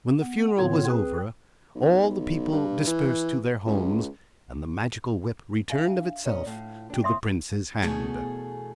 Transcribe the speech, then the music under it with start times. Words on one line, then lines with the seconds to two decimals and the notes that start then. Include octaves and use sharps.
When the funeral was over all the people dispersed to their homes, and the Magical Whip returned of itself to the prince's hand.
0.21 B3
0.58 A2 D3 B3 C4 F4 C#5
0.90 C4 G#4 B4
1.75 B1
2.52 G2
2.87 E3
3.66 C#2
5.70 D4 E5 F5 G#5
6.25 A#2 C#4 D#5
6.46 A2 F4
6.90 D4 G4
7.04 D#2 C3 E4 E5 C6 D#6
7.82 E2 B2 A3 G#4 A4 G#5